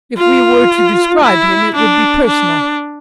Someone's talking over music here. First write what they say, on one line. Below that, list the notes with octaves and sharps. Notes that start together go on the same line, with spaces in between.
If we were to describe him it would be personal.
F4
E4
D4
D4